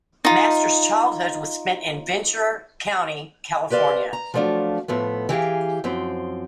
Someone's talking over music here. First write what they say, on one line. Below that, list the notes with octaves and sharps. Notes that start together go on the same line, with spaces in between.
Masters' childhood was spent in Ventura Country, California.
D#4 F4
G4 B4 C5 D5 F5
A#5
F3 F#3 A3 D4 F4
A2 F3 A3 B3
E3 G4 G#4 F5
F#2 F3 C4